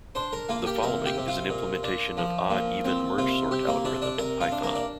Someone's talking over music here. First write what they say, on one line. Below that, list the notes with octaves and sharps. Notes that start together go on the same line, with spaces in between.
The following is an implementation of odd-even mergesort algorithm in Python.
D4 C5 C6
A#4 A#5
A#3 F4 F5
G4 G5
C3 A#4 A#5
G4 G5
C3
F4 F5
A#2
D4
F3
A#2
C4
C3 F4
C3 G4
A#3 A#4
C3 D4 D5
D4 D5
C3 A#4 A#5
F4 F5
D4
A#3 A#4
D5